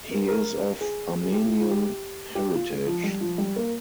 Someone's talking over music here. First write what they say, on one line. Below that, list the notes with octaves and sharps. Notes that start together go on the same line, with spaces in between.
He is of Armenian heritage.
A#4
A#4
G#4
G#4
G4
F4
F4
G4
G4
F4
G#3
F3
G3
F3
G3
A#3